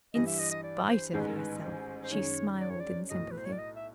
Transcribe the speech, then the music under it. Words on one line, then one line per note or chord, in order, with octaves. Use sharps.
In spite of herself, she smiled in sympathy.
G2 E3 G3 D#5
E5
D#5
D#5
D5
C5
A1 G#2 D#3 G#3 C5
B4
A#4
B4
C5
C5
F#2 D#3 G#3 C#4 C#5
D5
C#5
D5
B1 A2 F#3 D#5
B4
C5
C#5
D5
D#5
E5